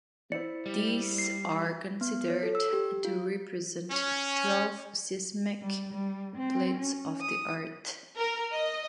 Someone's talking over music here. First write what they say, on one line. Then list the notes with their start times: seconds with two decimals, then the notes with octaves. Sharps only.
These are considered to represent the twelve seismic plates of the Earth.
0.32 E4 C5 D5 C#7
0.66 G3
1.18 C7
2.01 B3
2.30 C#5
2.43 A4
2.55 E6
2.73 G4
3.05 F4
3.91 C#4
5.62 G3
5.93 G3
6.35 C4
6.77 C#4
7.21 D#6
8.17 A#4
8.53 D#5